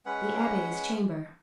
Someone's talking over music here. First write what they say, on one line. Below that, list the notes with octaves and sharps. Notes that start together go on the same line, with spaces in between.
The Abbe's Chamber.
G#3 C#4 B4 F#5